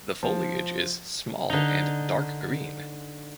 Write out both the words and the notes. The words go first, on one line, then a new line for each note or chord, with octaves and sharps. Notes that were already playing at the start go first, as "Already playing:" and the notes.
The foliage is small and dark green.
F3
D3 D#4